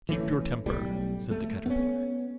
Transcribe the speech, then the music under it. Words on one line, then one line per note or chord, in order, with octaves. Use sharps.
'Keep your temper,' said the Caterpillar.
E3 A3 C#4
B1 A2 G3
A3
B3 C#4